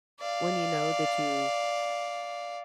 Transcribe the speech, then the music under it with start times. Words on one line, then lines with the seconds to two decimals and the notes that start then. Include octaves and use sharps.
when you know that you
0.20 D5 F5